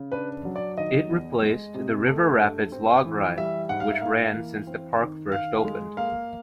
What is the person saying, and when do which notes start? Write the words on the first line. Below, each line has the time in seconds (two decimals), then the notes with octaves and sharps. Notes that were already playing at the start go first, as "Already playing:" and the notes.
It replaced the River Rapids log ride, which ran since the park first opened.
Already playing: C#3
0.12 D4 B4
0.45 F#3
0.56 D5
0.77 D#3 D#5
1.10 E2
1.42 G#3
1.74 C3
2.07 A3
2.40 G2
2.72 C4
3.05 E3
3.37 G3 E5
3.69 G#2 F#5
3.80 F5
3.90 E5
4.01 A#3 F5
4.35 E3
4.67 C4
5.00 D#3
5.32 D#3 F5
5.65 G#3
5.97 A#3 F5